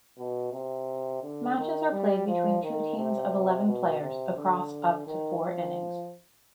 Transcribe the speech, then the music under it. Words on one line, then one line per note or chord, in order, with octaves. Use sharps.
Matches are played between two teams of eleven players, across up to four innings.
B2
C3
D3
D#3
G3
F3
D#3
C3
B2
C3
D3
D#3
F3